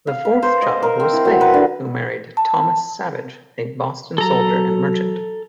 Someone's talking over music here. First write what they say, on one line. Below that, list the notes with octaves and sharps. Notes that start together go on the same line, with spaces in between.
The fourth child was Faith, who married Thomas Savage, a Boston soldier and merchant.
F5
B4
C5
D#5
A#4
C4
E4
F#3
B4
D3
A5
F#3 A4 A#5